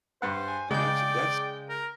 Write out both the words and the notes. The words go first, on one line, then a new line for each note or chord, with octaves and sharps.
And that's that's
G2 B4 C5 F#5
G#5
C#3 G#3 D5 G5 G6
A#4